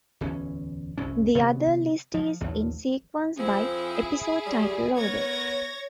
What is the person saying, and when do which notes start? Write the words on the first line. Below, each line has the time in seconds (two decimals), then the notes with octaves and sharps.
The other list is in sequence by "episode title order".
0.21 D1 E2 E3 C#4
0.98 F1 C2 F#2 C#4
1.35 C3 D#3 F#3 B3
2.14 F3
2.40 A1 D#2 A#2 A3
3.37 F2 F3 C4 E4 G#4
4.45 F#3 G3
4.96 B3 A#4 C#5 G#6 A#6